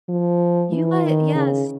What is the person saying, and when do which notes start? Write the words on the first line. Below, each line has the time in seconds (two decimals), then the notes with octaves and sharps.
You got yes.
0.09 F3
0.72 E3
1.03 D#3
1.35 C#3